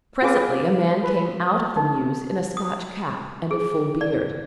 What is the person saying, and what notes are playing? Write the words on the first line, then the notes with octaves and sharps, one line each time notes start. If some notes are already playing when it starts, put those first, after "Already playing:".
Presently a man came out of the mews in a Scotch cap and a full beard.
F4 G#4 B4 D6
B4
D#4
D#6
G#4
D5